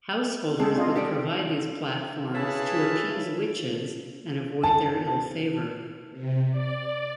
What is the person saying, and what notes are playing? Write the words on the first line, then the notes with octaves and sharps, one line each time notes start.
Householders would provide these platforms to appease witches and avoid their ill favour.
G#3 C4 G#4 A4
D4 F4 D#5
G4 A4 D5
E4 G#4 B4 C#5 F5 A5
A5
C3
D5